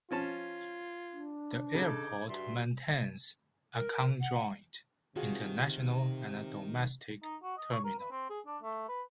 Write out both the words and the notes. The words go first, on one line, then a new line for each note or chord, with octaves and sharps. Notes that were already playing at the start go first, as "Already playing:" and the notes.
The airport maintains a conjoined international and domestic terminal.
F3 C#4 F4 A5 G#6
D4
C#3 D#4 A4 D6 G#6
G2 F#4 D5 E5 C6
A#4
F#5
C3 D#3 F4 F#4 G#4
D#4
F#4
D#5
C#5
A#4
B4
C4
G#4
D4
A3
B4